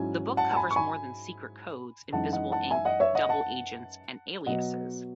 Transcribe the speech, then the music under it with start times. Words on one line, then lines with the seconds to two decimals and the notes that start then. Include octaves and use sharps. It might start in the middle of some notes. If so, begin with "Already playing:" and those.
The book covers more than secret codes, invisible ink, double agents, and aliases.
Already playing: G#2 F#3 C#4 E4 G#5
0.37 F#5 A5
0.51 A5
0.56 G#5 B5
0.71 C#6
0.76 G#5 B5
2.13 F#2 E3 G#3 D#4 F#5 A5
2.33 D#5 F#5
2.52 F#5 A5
2.71 E5 G#5
2.85 D#5 F#5
3.00 C#5 E5
3.15 D#5 F#5
3.29 F#5 A5
4.46 B2 F#3 B3 D#5 F#5